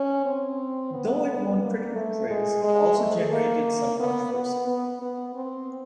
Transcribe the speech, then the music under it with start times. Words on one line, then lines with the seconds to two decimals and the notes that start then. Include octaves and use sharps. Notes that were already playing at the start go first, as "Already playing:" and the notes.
Though it won critical praise, it also generated some controversy.
Already playing: C#4
0.25 C4
0.94 B3
1.62 A#3
1.96 A3
2.30 G#3
2.64 G#3
2.98 A3
3.31 A#3
4.00 B3
4.34 B3
4.67 B3
5.02 B3
5.35 C4